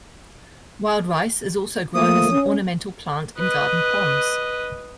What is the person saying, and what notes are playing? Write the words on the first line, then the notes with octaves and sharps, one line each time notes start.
Wild rice is also grown as an ornamental plant in garden ponds.
F3 A3 A#3 D#6
C#4
B4 D#5